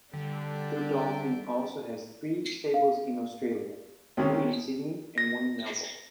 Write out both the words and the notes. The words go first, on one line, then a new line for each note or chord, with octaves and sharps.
Godolphin also has three stables in Australia, two in Sydney and one in Melbourne.
D3 G3 D4 G4 A4
F5
C2 D#3 C#4
A#6